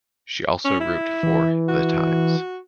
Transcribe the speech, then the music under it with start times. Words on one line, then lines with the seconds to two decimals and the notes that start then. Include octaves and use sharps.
She also wrote for "The Times".
0.65 C#4
0.80 E4
1.23 E3
1.68 F#4